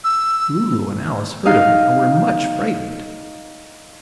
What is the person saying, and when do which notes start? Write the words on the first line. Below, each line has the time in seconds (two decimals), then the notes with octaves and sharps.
Lulu and Alice heard him, and were much frightened.
0.04 E6
1.46 D#4 F5